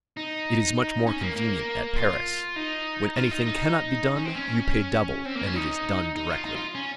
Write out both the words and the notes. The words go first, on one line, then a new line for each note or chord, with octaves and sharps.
"It is much more convenient at Paris,--when anything cannot be done, you pay double, and it is done directly."
D#4
C#4
A#3
A#3
F4
D#4
F4
D#4
D#4
C#4
C4
C#4
C4
A#3
C#4
D#4
D#4
F4
D#4
F4
C#4